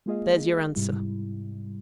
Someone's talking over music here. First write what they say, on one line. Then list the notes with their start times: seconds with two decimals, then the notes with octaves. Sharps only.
There's your answer.'
0.06 G#3 A#3 F4 G#4 D#5 F5
0.75 G#2 C3 G3 E4